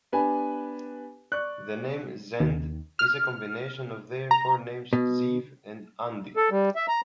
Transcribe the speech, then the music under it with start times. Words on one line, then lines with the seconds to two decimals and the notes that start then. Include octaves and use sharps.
The name Zend is a combination of their forenames, Zeev and Andi.
0.12 B3 D4 G4 B4 G#5
1.32 D5 C#6 F#6
2.40 D#2
2.99 F6
4.31 A#5
4.93 B2
6.37 A4
6.51 G3
6.76 E5
6.88 A#5